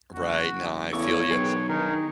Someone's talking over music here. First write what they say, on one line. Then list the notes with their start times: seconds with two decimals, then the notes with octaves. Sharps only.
Right, no I feel you.
0.15 F#1 F#4
0.93 E2 C#3 A3 A4 C#5 C#6 D6
1.31 B1 F#2 G#4 B4 G5
1.69 G2 D#3 D#4 G#4 A#4